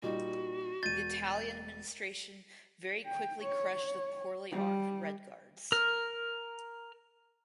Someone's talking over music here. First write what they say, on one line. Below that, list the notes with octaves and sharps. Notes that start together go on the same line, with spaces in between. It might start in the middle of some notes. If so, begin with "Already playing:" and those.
The Italian administration very quickly crushed the poorly armed "red guards".
A#2 G3 D#4 F#4
E1 G6 A6 D#7
G5
C#5
G3
A#4 F6